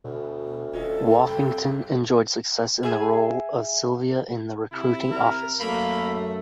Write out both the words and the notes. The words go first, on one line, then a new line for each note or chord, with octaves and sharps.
Woffington enjoyed success in the role of Sylvia in "The Recruiting Officer".
D2 B2
D#1 C#4 F4 A4 D#5
G1 C3 G5 B5
G#4 E5 G#5
C3 E4
A#4
F#2 A3 A#3 B5